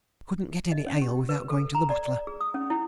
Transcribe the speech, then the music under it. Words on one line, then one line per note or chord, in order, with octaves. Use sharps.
I couldn't get any ale without going to the butler.
D#5
C#4
G4
B4
A4
A#5
D5
G#4
D#6
C#4
E4